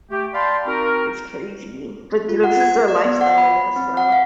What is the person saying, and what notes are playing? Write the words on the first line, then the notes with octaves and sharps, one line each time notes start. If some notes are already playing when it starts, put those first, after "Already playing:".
It's crazy, but you know, this is their lifestyle, I guess, so
A3 G4
D5 F5 G5 A5 B5 C6
C4 D#4 F#4 A#4
F4
F#5
G#6
D5
B3
F#5
B5
B5
C4
F#5
F5